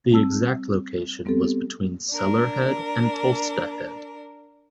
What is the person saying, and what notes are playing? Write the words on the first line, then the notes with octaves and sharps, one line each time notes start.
The exact location was between Cellar head and Tolsta head.
G3 C4 A5 E6
G3 B3 C4 G4 A4
D4 A#4